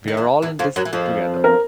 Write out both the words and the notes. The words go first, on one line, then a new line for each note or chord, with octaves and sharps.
We're all in this together.
D#3
E2 E3
E2 E3
F2 F3
F#2 F#3
E3
F2 F3
A#4